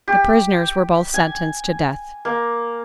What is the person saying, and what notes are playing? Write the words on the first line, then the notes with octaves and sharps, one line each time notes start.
The prisoners were both sentenced to death.
G4
G#5
A#3